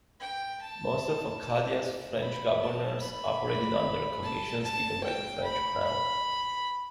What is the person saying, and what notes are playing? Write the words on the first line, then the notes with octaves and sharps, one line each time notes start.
Most of Acadia's French governors operated under commissions given by the French crown.
G5
A5
A5
B5
A5
B5
A5
A5
G5
B5
B5